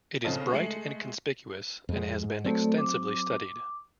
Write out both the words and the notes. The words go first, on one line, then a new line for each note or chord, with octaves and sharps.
It is bright and conspicuous and has been extensively studied.
B1 C#3 C4 F4 A4 D#5
G#3 A3 C7 C#7 F#7
F2 G#3
G#2
F#3 A3 C4 A4 D5
D6